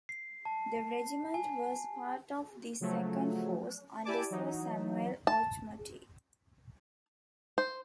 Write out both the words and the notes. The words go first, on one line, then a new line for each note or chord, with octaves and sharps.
The regiment was part of this second force, under Sir Samuel Auchmuty.
C7
A5
G#5
C#3 F3 F#3 A3
E4 G4 D5 G#5 A5 D6
E3 F#3 D#4
A5
C5